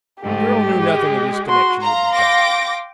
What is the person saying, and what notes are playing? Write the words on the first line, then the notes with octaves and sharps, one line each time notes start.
The girl knew nothing of his connection with the job.
G#2 A3 G4
G#3
F#4 C6
F5 A#5 C6
G5 D6 A#6